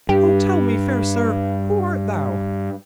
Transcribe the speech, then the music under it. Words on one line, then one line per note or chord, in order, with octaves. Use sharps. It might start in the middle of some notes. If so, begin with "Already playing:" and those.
'Oh, tell me, fair sir, who art thou?
G2 G4